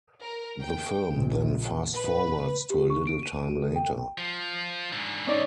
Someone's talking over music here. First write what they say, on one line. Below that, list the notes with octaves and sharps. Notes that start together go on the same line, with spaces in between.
The film then fast forwards to a little time later.
A#4
G5
A#1
B4
G4
C#6
D7
D#7
F#4
A4
G5
F3
G#2 D3
C#4 D#4 D5